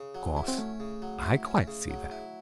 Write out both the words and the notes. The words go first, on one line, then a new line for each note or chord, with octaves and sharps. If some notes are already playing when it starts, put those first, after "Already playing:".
Of course I quite see that.
Already playing: C#3
F#3
E4
C4
A3 C#4
C#3
F#3
E4
C#4
C#3
F#3
E4